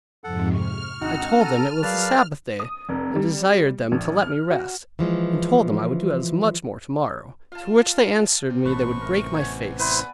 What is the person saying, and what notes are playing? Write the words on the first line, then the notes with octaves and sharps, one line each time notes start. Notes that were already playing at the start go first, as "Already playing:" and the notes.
I told them it was the Sabbath day, and desired them to let me rest, and told them I would do as much more tomorrow; to which they answered me they would break my face.
F2 G#2 C3 A4 F#5
C#6 F6
G#1 C4 D4 D#4 F#4 F#5
A4 A5 A#5 D#7
F#3 G#4 A#4 B4 D5 F5 A5
D#6
F1
G3
A#1
F6
F#4
E3 F3 G#3
F4 F5 A5
C3
A1 B4 A5 C#6
A#4 E5
B2 C#5 G#5
E4 B4 C5 D5